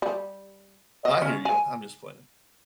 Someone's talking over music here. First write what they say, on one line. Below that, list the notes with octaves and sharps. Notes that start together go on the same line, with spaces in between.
I hear ya, I'm just playing.
G3
D#5
C#4
G#5